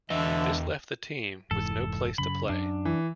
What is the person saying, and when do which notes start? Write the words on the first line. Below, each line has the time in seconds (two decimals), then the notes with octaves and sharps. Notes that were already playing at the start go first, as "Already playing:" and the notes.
This left the team with no place to play.
0.10 E2 D3 E3 D#5 E5
1.51 F1 G#2 E3 A4
2.18 F#2 C#3 B5
2.49 F#2 D4
2.85 E3